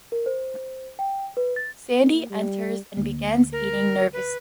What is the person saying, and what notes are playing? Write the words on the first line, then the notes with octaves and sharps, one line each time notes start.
Sandy enters and begins eating nervously.
A#4
C5
G5
B4
A6
A#3
G3
D2 A#3
A#4
B4